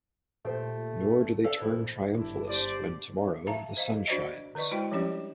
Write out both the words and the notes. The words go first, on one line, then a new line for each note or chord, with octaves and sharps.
Nor do they turn triumphalist when, tomorrow, the sun shines.
A#2 A3 G4 C5
A4 D5 F5
F2 A#2 E4
G1 D4 E4
G4 C5 D5
E5 F5 A5 A#5
C5 D#5 F5
D4 F#4 C5 D5 D#5
D3 B4 D5 D#5 C#6
G#3 E4 F#4 C5 D#5 G5
F3 G3 C#4 D4 G4 D5